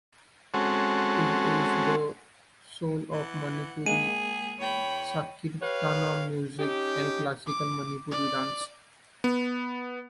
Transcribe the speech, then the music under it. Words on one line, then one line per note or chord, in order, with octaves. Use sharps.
It is the soul of Manipuri Sankirtana music and Classical Manipuri dance.
G#3 C4 C#4 F#4 A4
E3 F#5
G#3 A#3 G#4 D#7
E2 C#5 G5 B5
G4 B4 C#5 F5
C#4 D#4 G4
D6
D5
B3